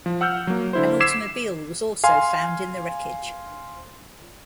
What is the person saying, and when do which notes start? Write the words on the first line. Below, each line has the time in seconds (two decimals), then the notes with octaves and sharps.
An automobile was also found in the wreckage.
0.06 F3
0.21 F#5 E6 F6 G6
0.47 F#3 A#3
0.73 D3 E4 C5
1.00 D6 E6 G#6 B6 C7 E7
2.04 F5 G#5 C6